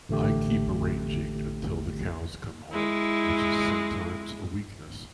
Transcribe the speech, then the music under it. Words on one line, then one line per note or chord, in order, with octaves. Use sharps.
I keep arranging until the cows come home, which is sometimes a weakness.
A1 D3 A3 G4
G#3 E4